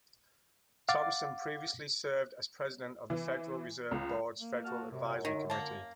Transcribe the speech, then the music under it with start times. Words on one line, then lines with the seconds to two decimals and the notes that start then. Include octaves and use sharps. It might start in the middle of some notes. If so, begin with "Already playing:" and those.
Thompson previously served as president of the Federal Reserve Board's Federal Advisory Committee.
0.89 F5 F#5 D6 A6
3.10 E3
3.91 C#2
4.41 A#3
4.64 F#4 A5 F6
4.91 F#2 C3
5.25 D3 D#3
5.50 A#3 A5